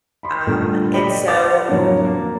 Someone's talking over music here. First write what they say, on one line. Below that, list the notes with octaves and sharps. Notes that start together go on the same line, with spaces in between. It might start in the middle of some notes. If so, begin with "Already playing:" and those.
Um, and so
B5 C6
A#2 D3 G3 A3
G4 D5 D#5 G5 B5
B4 F#5 D6 A6
F2 A2 D3 F#3 A#3 C#5
A#3